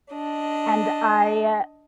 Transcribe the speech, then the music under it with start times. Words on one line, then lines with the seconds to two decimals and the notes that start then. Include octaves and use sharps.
and I
0.12 D4 D#5